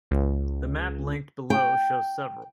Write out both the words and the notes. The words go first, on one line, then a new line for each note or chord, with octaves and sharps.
The map linked below shows several.
C#2
G5